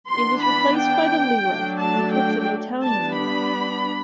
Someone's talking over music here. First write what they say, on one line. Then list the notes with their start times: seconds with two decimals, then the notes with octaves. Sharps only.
It was replaced by the lira, equal to the Italian lira.
0.10 E3 B3 D4 C6
0.44 B5
0.78 G5
1.46 F#3 A3 D4
1.80 A5
2.15 G5
2.82 G3 B3 D4 A5
3.15 B5